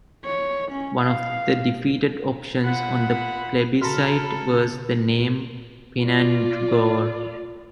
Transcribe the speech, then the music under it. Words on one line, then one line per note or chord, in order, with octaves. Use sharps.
One of the defeated options on the plebiscite was the name Penetangore.
C#5
C#4
F5
A#2 F#5 B5
C#3 F#4 A4 A#5 B5 F6
F4 D5